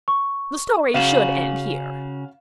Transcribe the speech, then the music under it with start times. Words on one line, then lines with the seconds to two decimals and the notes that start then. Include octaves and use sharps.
The story should end here.
0.08 C#6
0.94 C#3 C#4 F#4 F5 E7